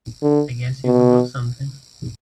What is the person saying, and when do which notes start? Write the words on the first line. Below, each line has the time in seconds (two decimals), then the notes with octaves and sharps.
I guess you forgot something.
0.22 D3
0.84 B2